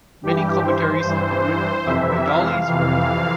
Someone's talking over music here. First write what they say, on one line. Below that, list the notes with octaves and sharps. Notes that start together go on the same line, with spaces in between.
Many commentaries have been written on Baidawi's work.
G2 E3 G4
C5
G2 E3
F2 C3 E3 E5
F5
F2 C3 E3